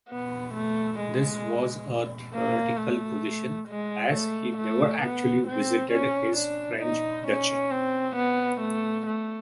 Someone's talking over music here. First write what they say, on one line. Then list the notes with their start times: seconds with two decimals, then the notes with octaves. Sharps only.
This was a theoretical position, as he never actually visited his French duchy.
0.10 B3
0.54 A3
1.00 G#3
2.35 A#3
2.78 A3
3.68 G#3
4.14 A3
4.58 A3
5.03 B3
5.47 C4
5.92 C#4
6.37 D4
6.82 D#4
7.27 C#4
7.71 C4
8.16 B3
8.61 A3
9.06 A3